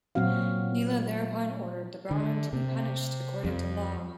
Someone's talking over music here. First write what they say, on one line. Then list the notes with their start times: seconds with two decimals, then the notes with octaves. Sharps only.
Nila thereupon ordered the Brahman to be punished according to law.
0.15 A#2 F#3 C4 F#4 F5
2.11 D3
2.53 C3
3.45 F2